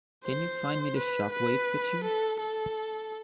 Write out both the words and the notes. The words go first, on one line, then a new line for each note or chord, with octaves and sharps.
Can you find me the Shockwave picture?
C5
B4
B4
A4
A4